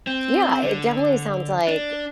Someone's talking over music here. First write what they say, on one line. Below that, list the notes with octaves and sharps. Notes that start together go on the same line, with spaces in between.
Yeah, it definitely sounds like
C4
D3
D4